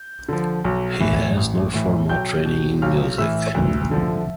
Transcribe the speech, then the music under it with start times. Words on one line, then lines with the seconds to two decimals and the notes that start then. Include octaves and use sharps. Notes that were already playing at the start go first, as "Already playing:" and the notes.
He has no formal training in music.
Already playing: G6
0.29 D3 F3
0.64 B1
1.00 A2 E3
1.37 A1
1.74 A2 E3
2.09 B1 G5 G6
2.46 B2
2.82 B1 F5 F6
3.18 A2 E3 E5 E6
3.54 D2
3.91 D3 F3